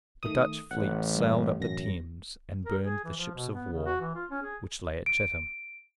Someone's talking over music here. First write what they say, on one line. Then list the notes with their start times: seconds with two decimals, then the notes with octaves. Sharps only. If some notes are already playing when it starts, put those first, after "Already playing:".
The Dutch fleet sailed up the Thames, and burned the ships of war which lay at Chatham.
0.23 D#3 A3 D#6
0.71 A1 F#5
1.15 G2 A#3
1.60 A1 F#2 A#6
2.65 A#4
2.83 G#4
3.04 E3
3.16 F3
3.35 B2
3.53 B3
3.73 C#3
3.86 F#4
4.00 E3
4.15 F4
4.31 C#4
4.43 G#4
5.06 D7